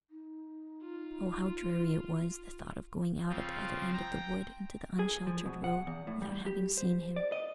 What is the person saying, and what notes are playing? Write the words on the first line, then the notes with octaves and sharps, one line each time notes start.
Oh, how dreary it was--the thought of going out at the other end of the wood, into the unsheltered road, without having seen him.
D#4
F4
C#3 F3 C4 F4
G5 A#5
G#4
F3
B2
F#5
E2
A2
G3
G4
C5
D5
D#5